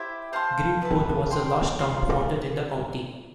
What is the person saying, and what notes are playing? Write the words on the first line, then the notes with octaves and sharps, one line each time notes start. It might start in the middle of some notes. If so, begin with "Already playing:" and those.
Greenport was the last town founded in the county.
Already playing: E4 G4 C5 E5
C5 F5 A5 C6
B4 E5 A5
C5 G5 C6
F4 C5 F5 B5